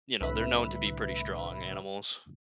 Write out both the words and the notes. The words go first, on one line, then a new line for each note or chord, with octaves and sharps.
you know, they're known to be pretty strong animals.
C2 A2 D3 B4 E5 B5